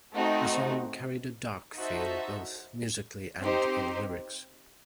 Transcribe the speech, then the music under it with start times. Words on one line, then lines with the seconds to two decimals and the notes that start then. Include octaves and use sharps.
The song carried a dark feel, both musically, and in lyrics.
0.12 A3 C4 D#4 F#4
1.76 D#4 F#4 C5 E5 A5
3.40 C4 D#4 G4 C5